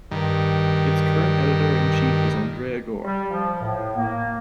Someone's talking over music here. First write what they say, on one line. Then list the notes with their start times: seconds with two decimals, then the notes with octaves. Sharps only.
Its current editor-in-chief is Andrea Gore.
0.11 G2 D#3
3.03 G3
3.30 F3
3.61 A2
3.96 A#3